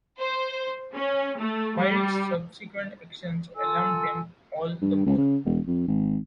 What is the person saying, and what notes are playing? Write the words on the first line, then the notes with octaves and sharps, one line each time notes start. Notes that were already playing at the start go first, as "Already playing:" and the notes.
Wild's subsequent actions alarmed them all the more.
C5
C#4
A3
G3
F4 A4 G#5 E6
G2
C#2
C#3
E1
F2
G#1